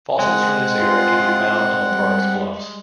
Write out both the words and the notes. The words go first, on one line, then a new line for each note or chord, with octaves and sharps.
Fossils from this era can be found on the parks bluffs.
G#3 C4 F#5
F4
G3